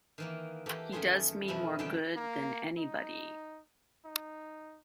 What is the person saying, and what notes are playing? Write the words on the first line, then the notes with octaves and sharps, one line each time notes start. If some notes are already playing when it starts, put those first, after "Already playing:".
He does me more good than anybody.
D#3 E3 A#3
E3 A#3 G4 A4
F#2 D#3 A3 G#4 C6
F2 B2 E3 F3 E4 D#5
F#2 D#3 D4 A4 E5 G5
A#3
D#4
D#4